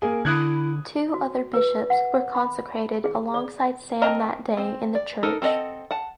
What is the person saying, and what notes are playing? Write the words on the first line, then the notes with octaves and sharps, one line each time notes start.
Two other Bishops were consecrated alongside Sam that day in the church.
A#3 G#4 A#4
D3 E4 D#6 F#6 G#6
F#4
B4
F#5
B5
G#4
D5
C4 A#4 D#5 A5 A#5
C4 C5
D5
D#4 A4 A#4
C4 A4 C5 D#5 F#5
F#5 A5